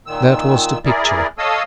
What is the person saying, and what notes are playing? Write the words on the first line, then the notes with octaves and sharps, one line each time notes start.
That was the picture!
A#2 D#3 E6
E4 G#4 A#4 D5
A4 C#5 D#5 F5 D#6 E6